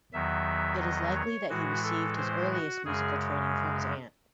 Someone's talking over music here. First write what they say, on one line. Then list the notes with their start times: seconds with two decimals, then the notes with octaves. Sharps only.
It is likely that he received his earliest musical training from his aunt.
0.13 E2 D#3 F#3 E5
0.81 D#5
1.15 C#5
1.49 A2 E3 G#3 F#4
1.84 A4
2.18 C5
2.52 F#4
2.85 F#2 C#3 G#3 G#4